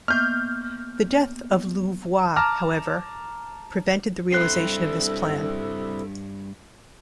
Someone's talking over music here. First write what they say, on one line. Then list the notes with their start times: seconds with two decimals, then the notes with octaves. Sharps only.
The death of Louvois, however, prevented the realization of this plan.
0.08 A#3 B3 F6 G6
2.36 A5 A#5 D6 F6
4.32 G2 C4 E4 A4 C6 F#6 C7